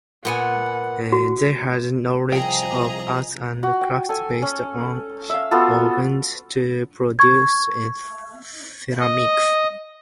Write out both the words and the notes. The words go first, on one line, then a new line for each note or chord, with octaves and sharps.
They had a knowledge of arts and crafts based on ovens to produce ceramics.
A#2 B3 F#5 G#5
F#4
C2 F3 G#4 D#5 G5 A#5
F#4
G5
A4 G#5
C#4
E5 F5
B3 F4 F#4 A4
C#6 G#6
D#5